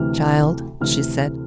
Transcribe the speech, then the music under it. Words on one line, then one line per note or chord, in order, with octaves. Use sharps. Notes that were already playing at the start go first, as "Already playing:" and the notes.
"Child," she said.
Already playing: D2 C3 E3 F6
D2 C3 E3 F6